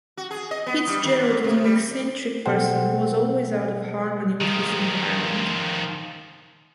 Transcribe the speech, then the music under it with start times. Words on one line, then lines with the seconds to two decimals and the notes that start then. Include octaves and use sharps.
Fitzgerald was an eccentric person who was always out of harmony with his environment.
0.17 F#4
0.31 G#4
0.51 D#5
0.66 B3
0.87 G3
1.04 D#3
1.20 A#2
1.44 C3
1.64 G3
2.46 B2 F#3 A4 C5 F#5 G5
4.41 D#3 F3